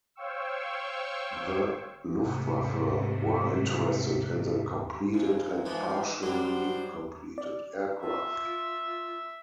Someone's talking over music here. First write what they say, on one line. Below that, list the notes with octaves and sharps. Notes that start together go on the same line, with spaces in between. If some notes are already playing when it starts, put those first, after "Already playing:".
The "Luftwaffe" were interested in the completed and partially completed aircraft.
C5 C#5 F5 G5 C#6 E6
G#2 C3 A3
F#2 F3 D#4
E3 F3 G#3
F#2 F#3 G3 D4 F#4 C5
D5
F4 E5